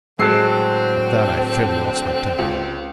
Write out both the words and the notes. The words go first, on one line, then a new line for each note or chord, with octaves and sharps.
At that I fairly lost my temper.
A2 D3 F#3 G#3 C4 A4 C7
C#2